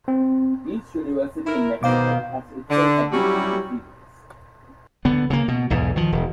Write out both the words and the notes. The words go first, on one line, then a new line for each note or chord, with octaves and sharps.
Each University in Mexico has its own admission procedures.
C4
E4 A#4
B2 D#3 C5 F5 D6
D3
F#3 G3 C#4 E4 F#4 G4
D3 B3
C#3 A#3
B2
B1 E2 G#2
D#3 F3
E1